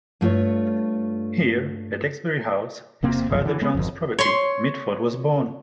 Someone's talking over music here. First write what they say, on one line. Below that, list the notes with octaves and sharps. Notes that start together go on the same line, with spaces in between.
Here, at Exbury House, his father John's property, Mitford was born.
G2 A3 F4 C#5
E1 C3 A#3 C4
G1 C2 F#2 F3
D3 E3
G#3 B3
G#1 F2
C#5 C6